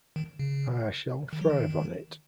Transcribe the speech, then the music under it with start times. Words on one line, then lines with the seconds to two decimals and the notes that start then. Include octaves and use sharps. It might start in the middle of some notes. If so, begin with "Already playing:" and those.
I shall thrive on it.
0.16 D#3
0.39 C#3
1.33 D#3
1.41 F#3
1.49 D#3